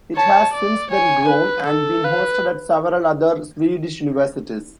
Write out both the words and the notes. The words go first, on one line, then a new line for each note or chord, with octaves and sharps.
It has since then grown and been hosted at several other Swedish universities.
C#5 A5
D5
C#5 G#5
B4
A4
B4 F5